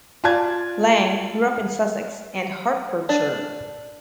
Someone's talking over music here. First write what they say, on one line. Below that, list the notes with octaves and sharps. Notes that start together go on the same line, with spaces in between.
Lang grew up in Sussex and Hertfordshire.
F4 D5 A5 G#6
D4